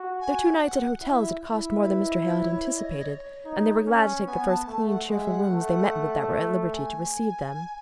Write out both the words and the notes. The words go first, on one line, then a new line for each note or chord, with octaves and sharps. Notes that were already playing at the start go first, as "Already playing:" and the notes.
Their two nights at hotels had cost more than Mr. Hale had anticipated, and they were glad to take the first clean, cheerful rooms they met with that were at liberty to receive them.
Already playing: F#4
G#5
F#5
E4 E5
E4 E5
B4
D#5
B4
C#5
C#5
D#5
C#5
D#5
C#5
D#4
C#4
B3 G#5
A5
A3 A5
F#5
G#3 F#5
E5
F#5
A3
G#5